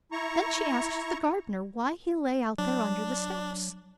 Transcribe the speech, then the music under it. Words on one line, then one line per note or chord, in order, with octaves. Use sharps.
Then she asked the gardener why he lay out there under the steps.
E4 A#5 C#6
F#3 D4